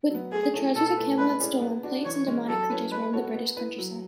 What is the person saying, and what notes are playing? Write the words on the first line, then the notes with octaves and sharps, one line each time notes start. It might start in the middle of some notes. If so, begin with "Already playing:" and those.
With the treasures of Camelot stolen, plagues and demonic creatures roam the British country-side.
F#3 B3
A3 G#4
E4 A4 C#5
B2 A4
A3 E4 B4
G#3 B4
C#4 E4 G#4 D5
B3
D4 F#4
E3 C#5
G#3 C#4
F#3 A4
C#4 E4 B4
G#3 B4
B3 F#4 A4 C#5
B3
E4 B4
F#3